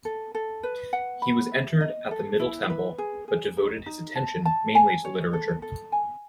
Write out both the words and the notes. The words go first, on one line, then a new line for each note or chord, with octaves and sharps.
He was entered at the Middle Temple, but devoted his attention mainly to literature.
A4
A4
B4
F#5
B5
E5
D#5
A4
E4
B4
G#4
G#4
D#4
D#4
A5
A5
G#5
C#5
A4
A4
G#5